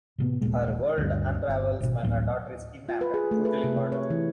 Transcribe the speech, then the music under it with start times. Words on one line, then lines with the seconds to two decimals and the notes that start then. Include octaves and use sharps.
Her world unravels when her daughter is kidnapped and brutally murdered.
0.18 A2 C3 B3
0.41 D#1 A#1 A#2 G#3
0.98 D2 G2
1.48 G1
1.80 G#1 B2
2.03 A1 D2 A2 F#3
2.89 F4
3.01 B4
3.14 G#4
3.31 A3
3.45 B4
3.64 C3
3.76 C3
3.92 C#5
4.10 E3